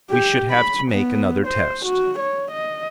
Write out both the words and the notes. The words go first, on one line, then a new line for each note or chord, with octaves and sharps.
We should have to make another test.
G4
B5
B3
C5
F#4
C#5
D#5